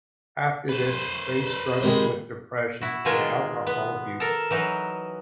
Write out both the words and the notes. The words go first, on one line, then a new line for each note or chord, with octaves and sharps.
After this, Ray struggled with depression and alcohol abuse.
B4 C5
C3 D#3 G#3
E4 F#4
B2 D#3 G#3 F4 G5 G#5
B3
A4 A#4
E3 F#3 D#4